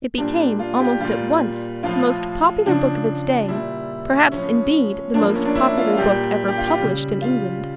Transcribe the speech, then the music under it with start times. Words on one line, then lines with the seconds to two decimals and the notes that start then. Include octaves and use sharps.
It became, almost at once, the most popular book of its day, perhaps, indeed, the most popular book ever published in England.
0.18 A#2 G3 D4
0.59 F4
0.79 G4
1.00 A#2 G3 F4
1.83 A2 F3 F4
2.65 C#3 F3 D4
3.48 A#2 G3 E4
4.32 A2 F3 C#4
5.14 A2 F3 D4
5.24 A#3
5.35 C#4
5.46 D4
5.55 E4
5.77 F4
5.93 F4
5.97 A#2 G3 G4
6.48 G4
6.58 F4
6.67 G4
6.80 C#3 G3
7.22 F4